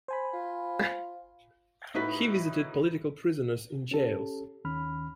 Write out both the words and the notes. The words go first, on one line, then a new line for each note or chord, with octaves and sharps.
He visited political prisoners in jails.
C5 G#5 B5
F4
A2 D#4 F#4 B4 B6
C#4 G4 A4
D#2 D#3 C#4 B5 F6